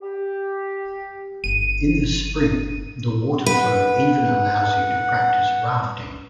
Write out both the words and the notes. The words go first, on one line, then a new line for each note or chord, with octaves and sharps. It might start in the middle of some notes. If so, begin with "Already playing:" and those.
In the spring the water flow even allows you to practice rafting.
G4
G1 D#7
B4 F#5